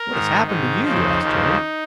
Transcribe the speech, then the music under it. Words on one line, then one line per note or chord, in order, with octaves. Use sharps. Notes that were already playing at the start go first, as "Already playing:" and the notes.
"What has happened to you?" asked Harry.
Already playing: A#4
G#2 D#3
G#2 D#3 D#4
F2 C#3 F3 D#4
D#2 C#3 F3